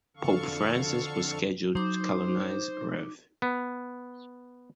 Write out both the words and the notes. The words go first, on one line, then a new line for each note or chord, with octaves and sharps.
Pope Francis was scheduled to canonize Rev.
F2 D3 A4 F5 C#6
F#3 D#4 C5 D6
B3